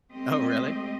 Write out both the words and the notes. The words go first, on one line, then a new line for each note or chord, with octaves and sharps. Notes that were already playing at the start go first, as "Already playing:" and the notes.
Oh, really?
G#3 A3 C4 G4 D#5